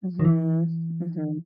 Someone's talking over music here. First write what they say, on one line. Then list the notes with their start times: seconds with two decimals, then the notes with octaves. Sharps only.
Mhm. Mhm.
0.19 D#3
0.25 E3